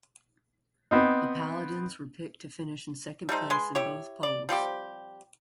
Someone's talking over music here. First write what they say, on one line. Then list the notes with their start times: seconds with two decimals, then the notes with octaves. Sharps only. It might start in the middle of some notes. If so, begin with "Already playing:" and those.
The Paladins were picked to finish in second place in both polls.
0.91 B3 C4 D#4
3.29 G3 A3 D#4 C5
3.50 G#3 B4 G#5 C6
3.75 E4 G4 C#5
4.23 D5
4.49 F3 G3 C4 G4